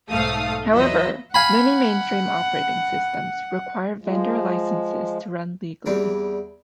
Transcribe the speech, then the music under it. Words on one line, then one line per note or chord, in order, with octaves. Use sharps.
However, many mainframe operating systems require vendor licenses to run legally.
B1 G#2 A3 A4 F5 D#6
E2 F#3 F4 B4 D#5 E5
F5 F#5 G#5 B5
F3 G#3
E2 G3 C4 D4